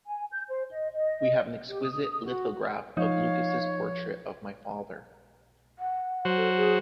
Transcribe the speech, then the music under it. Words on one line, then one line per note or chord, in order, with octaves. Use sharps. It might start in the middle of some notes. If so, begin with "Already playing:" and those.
We have an exquisite lithograph of Lucas's portrait of my father.
G#5
G6
C5
D#5
D#5
G4
D#6
F#4
F3 D#4 C#5 F5
F#5
F#3 F#4 C5
A4
G#4